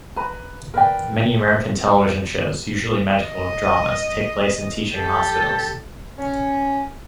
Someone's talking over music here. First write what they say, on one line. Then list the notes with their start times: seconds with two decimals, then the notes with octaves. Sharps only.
Many American television shows, usually medical dramas, take place in teaching hospitals.
0.16 B4 A#5 B5
0.74 A#4 B4 D5 G5
1.39 C5
3.16 D#5
4.93 G4 A4
6.18 C#4